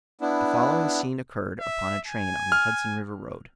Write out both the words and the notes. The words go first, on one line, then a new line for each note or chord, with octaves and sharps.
The following scene occurred upon a train on the Hudson River road.
B3 D4 E4
E5
G#5
F6